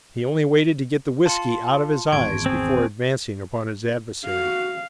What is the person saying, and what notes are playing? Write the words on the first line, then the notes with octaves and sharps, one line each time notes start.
He only waited to get the whisky out of his eyes before advancing upon his adversary.
F4 A5 C6 C#7
G#1 E2 C#6 G#6 D7
C4 G#4
F#4 F5